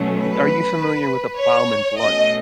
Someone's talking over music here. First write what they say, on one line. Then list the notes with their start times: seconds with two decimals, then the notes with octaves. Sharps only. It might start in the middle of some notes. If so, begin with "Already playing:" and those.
uh, are you familiar with a ploughman's lunch?
Already playing: B2 F#3 A3 C#4
0.21 B4
1.38 C#5
1.98 B2 A3 C#4 D#5